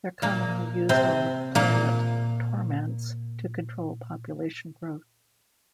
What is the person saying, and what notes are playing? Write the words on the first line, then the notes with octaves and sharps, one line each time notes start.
They're commonly used on the planet Tormance to control population growth.
A#2 A#3
C3 C4
A#2 A#3